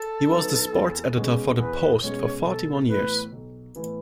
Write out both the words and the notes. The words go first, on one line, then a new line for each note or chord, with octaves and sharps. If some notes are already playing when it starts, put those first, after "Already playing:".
He was the sports editor for the "Post" for forty-one years.
Already playing: A4
D#3 F#3 B3 D#4
E2
B2 G#3 C#4
E2 B4
B2 G#3 C#4 C#5
B1 A4
A2 E3 B3 B4
B1
A2 E3 B3